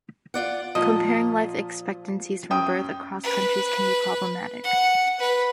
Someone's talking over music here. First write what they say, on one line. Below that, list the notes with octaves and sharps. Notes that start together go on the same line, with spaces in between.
Comparing life expectancies from birth across countries can be problematic.
F4 D5 F#5
A#2 F3 D#5
F#2 G5 D#6
B4
F#5
B4